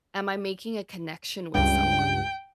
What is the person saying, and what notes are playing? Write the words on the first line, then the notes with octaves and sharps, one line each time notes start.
"Am I making a connection with someone?"
C#2 G2 G5